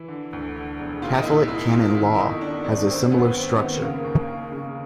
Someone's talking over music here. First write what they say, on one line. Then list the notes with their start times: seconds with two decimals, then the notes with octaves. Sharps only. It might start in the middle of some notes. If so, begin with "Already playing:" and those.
Catholic Canon Law has a similar structure.
Already playing: E3 E4
0.08 D3
0.33 D2
0.55 D3
0.79 E1
1.02 A#2 F4
1.20 D#4
1.25 C2 E4
1.48 C2 E4
1.71 C2 F4
1.95 D#3 E4
2.18 G1 D#4
2.41 D#3 D4
2.65 F#2 D4
2.88 G#1 C4
3.12 G#1 B3
3.35 G#1 C4
3.58 D#3 B3
3.82 C#3 A#3
4.04 D#2
4.28 D#2
4.52 C#3